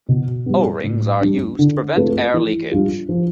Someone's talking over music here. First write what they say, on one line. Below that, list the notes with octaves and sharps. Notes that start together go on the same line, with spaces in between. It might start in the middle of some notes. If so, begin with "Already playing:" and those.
O-rings are used to prevent air leakage.
B2
G3 B3
A2
G3 D4
D3
A3 C4 F4 B4
E3
G3 D4 F4
F3